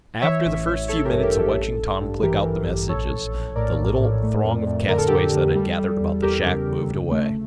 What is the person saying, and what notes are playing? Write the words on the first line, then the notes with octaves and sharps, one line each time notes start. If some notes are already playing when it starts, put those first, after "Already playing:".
After the first few minutes of watching Tom click out the messages, the little throng of castaways that had gathered about the shack, moved away.
E3 C#5 E5
A1
A1
A1 A4 C#5
G4 A#4
G2
G4
G2
A4
A1
A1
G2
E3 G4 A#4
E3
A1
A#1 A4 C#5
A#1
A#1
A2 A#4 D5
A#1
A2
A3
F2
F2
D3 A#4
A4
D3 G4
A4
D3
G3
G3
E2
E2 G4 A#4
C#3
C#3
D2
A3